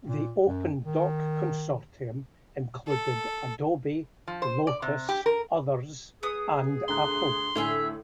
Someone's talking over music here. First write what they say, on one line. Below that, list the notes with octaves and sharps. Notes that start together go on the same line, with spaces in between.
The OpenDoc consortium included Adobe, Lotus, others, and Apple.
A#2
F#2
D#3
A4
F3
C5
D5
C3
G4
A#4
B3 G#4 D#6
D2 A#5 C6 F#6
A2 D3 G#4 E5 F5